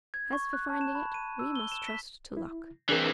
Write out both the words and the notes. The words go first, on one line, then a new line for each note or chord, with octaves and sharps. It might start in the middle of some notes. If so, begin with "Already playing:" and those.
"As for finding it, we must trust to luck."
G#6
C#6
F#6
A5
E7
B5
D#7
E6
G7
E7
B6
E4
E3 C4 D4 G#4 A#4